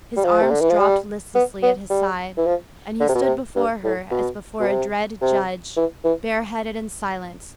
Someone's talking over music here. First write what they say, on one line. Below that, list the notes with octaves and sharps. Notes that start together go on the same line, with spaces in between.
His arms dropped listlessly at his side, and he stood before her, as before a dread judge, bareheaded and silent.
G3
F3
C3
D3
E3
F3
G3
B3
B3
G3
E3
F3
D3
C3
B2
C3
G2
A2
B2
B2
C3
C3
E3
E3